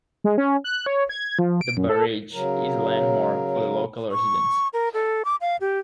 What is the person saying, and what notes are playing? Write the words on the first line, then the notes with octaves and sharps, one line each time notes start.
The barrage is a landmark for the local residents.
G#3
C#4
F#6
C#5
G#6
F3
D7
F#2
A4
C#3 F#3 A#4
C#6
A#4
A4
D6
F5
G4